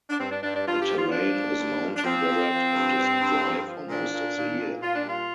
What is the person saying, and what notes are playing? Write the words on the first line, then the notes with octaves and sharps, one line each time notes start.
The terrain is mountain desert and is dry for most of the year.
D4
G2 C4
D4
G2 D4
D4
G2 F4
G4
F3
F4
F3 D4
G2
G2
F3
D4
F3 C4
F3
F3
G2
G2
G2
F3
F3
A#2 D4
A#2
A#2
A#2
A#2 F4
D4
G3 F4